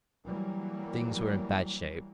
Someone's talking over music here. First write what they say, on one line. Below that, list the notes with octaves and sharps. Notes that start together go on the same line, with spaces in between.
Things were in bad shape.
E3 F#3 G3 A#3